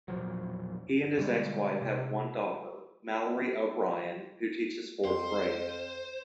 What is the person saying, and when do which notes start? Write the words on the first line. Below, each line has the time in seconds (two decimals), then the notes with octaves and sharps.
He and his ex-wife have one daughter, Mallory O'Brien, who teaches fourth grade.
0.08 E1 A#2 F3 F#3
1.18 B2 D3 G3 G#3
1.82 C3
5.05 F2 C5